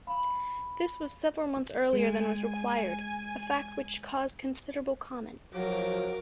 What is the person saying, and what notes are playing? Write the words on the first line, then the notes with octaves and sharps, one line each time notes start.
This was several months earlier than was required, a fact which caused considerable comment.
F5 B5
G#3 G#5
F3 F#3 F#4 A#4 D6